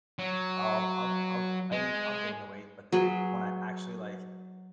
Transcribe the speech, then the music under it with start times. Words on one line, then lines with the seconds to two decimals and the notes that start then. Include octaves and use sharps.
I'll I'll I'll I I'll gain the weight, but then when I actually, like,
0.19 F#3
1.72 G#3
2.92 F#3 G#4 B4